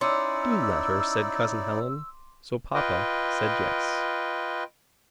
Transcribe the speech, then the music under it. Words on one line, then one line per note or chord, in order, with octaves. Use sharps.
"Do let her!" said Cousin Helen, so Papa said "Yes."
C#4 D#4 E4 D5 C6 D6 E6
F4 B4 D#5 G5